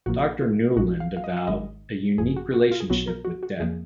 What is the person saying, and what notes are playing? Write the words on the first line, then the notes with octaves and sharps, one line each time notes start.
Doctor Nuland avowed a "unique relationship" with death.
A#1 A#2 F3 A#3 F#4
F4
A#1 A#2 G#3 F#4
F5
F5
D#5
F5
G#1 G#2 D#3 G#3 D#5
G#1 F#2 F3 G#4
F#4
F#4
F4
G#4
B1 B2 F#3 B3 F#4
A#4
F#4
F#4
F2 F3 A#3 G#4